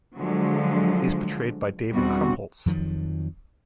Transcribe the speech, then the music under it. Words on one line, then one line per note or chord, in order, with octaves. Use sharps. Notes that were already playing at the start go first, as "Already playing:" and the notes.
He is portrayed by David Krumholtz.
D3 F3 F#3 G#3
E2 B2 G3 C4 D4 F#4
F2 D#3 F3 F#3